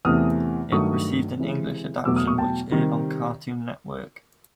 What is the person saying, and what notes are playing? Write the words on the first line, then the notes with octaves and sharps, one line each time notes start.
It received an English adaptation which aired on Cartoon Network.
E2 C3 E3 A3 D#6 F6
G2 D#3 F#3 A3 C#6 D#6
C3 E3 G#3
E2 B2 F#3 A3 D6 E6
D#6 F6
C#6 D#6
G5 A5
C3 D#3 G3